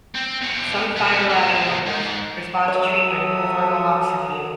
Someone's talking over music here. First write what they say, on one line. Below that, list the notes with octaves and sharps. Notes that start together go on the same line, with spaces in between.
Some fibroadenomas respond to treatment with ormeloxifene.
C4
E2 B2
B3 F#4
G3 C#4
G#3 A#3
G#2
F#3 F#4 A4 C#5 E5 D#6